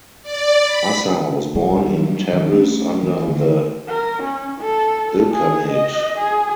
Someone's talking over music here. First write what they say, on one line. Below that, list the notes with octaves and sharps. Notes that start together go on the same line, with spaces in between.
Assar was born in Tabriz under the Ilkhanate.
D5
B5
D#1 C2 A#2 G3
F#3 G3 D4
D#3 F3
A3 C#4
E3 A#3
D3 A3
A#4
C#4
A4
G#4
D#5
G#4